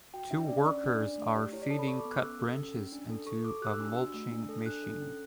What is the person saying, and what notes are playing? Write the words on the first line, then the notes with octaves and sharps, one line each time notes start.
Two workers are feeding cut branches into a mulching machine.
F#4 G5
D4 E5
C#4 D5
C#4 D5
D4
D4
A3
G4
E4 C#5
D5
A4 A5
B5
A4 C#6
D6
B3
F#6
C#4 E6
A4
C#4
C#4
D4
A4
A4 C#6
A4 D6
G4 F#6
E6
D4
E6
F#4 E6
A3
D4
A4
D4 F#6
A4
C#4